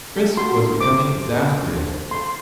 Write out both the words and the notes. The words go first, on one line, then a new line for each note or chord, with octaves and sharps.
Chris was becoming exasperated.
A4
F#4 C6
D4
C5 D6
A4
A4
D4
D4
C5
A4 C6